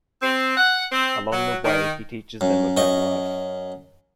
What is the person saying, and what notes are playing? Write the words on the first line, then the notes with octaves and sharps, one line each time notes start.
Along the way, he teaches them about life.
C4
F#5
C4
F#3
D#3
F#2
F#2 D#5 C#6